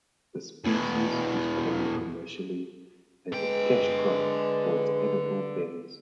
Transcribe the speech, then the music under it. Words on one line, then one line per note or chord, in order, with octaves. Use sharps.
The species is grown commercially as a cash crop for its edible berries.
E2 B2
D3 G#3 B4 G5